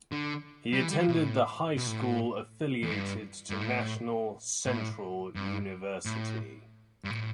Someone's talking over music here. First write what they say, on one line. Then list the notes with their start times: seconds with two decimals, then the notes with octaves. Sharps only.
He attended the High School Affiliated to National Central University.
0.12 D3
0.73 G3
0.82 E3
0.91 G3
0.99 E3
1.08 B2
1.17 A2
1.77 B2
1.87 A2
2.83 E2
2.91 G2
3.50 G2
3.61 A2
4.66 A2
5.36 G2
6.05 A2
7.04 G2
7.10 A2